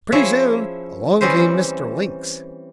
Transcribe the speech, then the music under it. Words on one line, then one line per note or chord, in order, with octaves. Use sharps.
Pretty soon along came Mr. Lynx.
F3 C#4 E4 G#4 C#5 E5
E3 G3 C4 C#4 C5